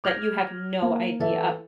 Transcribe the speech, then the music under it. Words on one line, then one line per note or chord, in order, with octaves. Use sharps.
that you have no idea
D6 F6 G6 G#6 A#6
A#3
E3 A4 E5